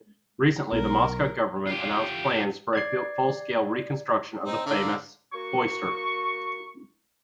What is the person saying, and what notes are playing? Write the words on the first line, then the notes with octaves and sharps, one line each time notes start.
Recently the Moscow government announced plans for a full-scale reconstruction of the famous cloister.
B1 A#4
F4 G4
D5 G#6 C7
C4 D#4
D3 A#4 F5
A#3 F#4 C#6